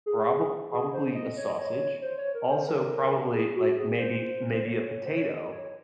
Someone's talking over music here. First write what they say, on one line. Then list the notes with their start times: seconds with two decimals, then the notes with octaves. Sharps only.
probob probably a sausage. Also, probably, like, maybe maybe a potato
0.06 G#4
0.72 G#4
0.93 C5
1.15 D#5
1.37 C#5
1.48 D#5
1.59 C#5
2.02 C5
2.18 C#5
2.35 A#4
2.51 C5
2.68 A#4
3.33 G#4
3.55 F#4
3.77 G#4
3.99 C5
4.52 C5
4.65 C#5
5.05 C5
5.17 C#5
5.29 D#5
5.51 C#5